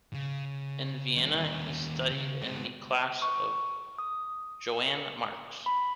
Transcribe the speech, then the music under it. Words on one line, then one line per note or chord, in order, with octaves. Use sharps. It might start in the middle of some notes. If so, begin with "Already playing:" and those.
In Vienna, he studied in the class of Johan Marx.
C#3
D#2 C#4
C#3
G#3 C4
C#6
D#6
C#7
B5